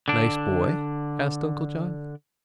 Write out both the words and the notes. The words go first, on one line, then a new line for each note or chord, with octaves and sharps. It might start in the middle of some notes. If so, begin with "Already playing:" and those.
"Nice boy?" asked Uncle John.
D3 D4